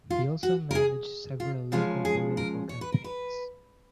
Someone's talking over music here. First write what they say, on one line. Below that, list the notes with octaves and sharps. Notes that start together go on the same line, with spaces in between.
He also managed several local political campaigns.
F4
F#4
A#4
G#4
F4
C#3 F3 G#3 C#4 F4
G#4
A#4
C#5
B4
A#4
B4